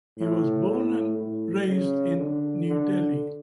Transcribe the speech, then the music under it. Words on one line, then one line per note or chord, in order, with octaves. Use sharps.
He was born and raised in New Delhi.
A2
A2
A2
C#3
D3
D3